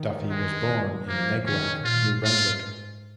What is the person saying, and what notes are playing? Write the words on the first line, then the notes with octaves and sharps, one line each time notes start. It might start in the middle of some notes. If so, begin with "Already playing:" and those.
Duffie was born in Neguac, New Brunswick.
Already playing: D#3
G#3
F3 A#3
D#3 C#4
A#2 F4
G#2 F4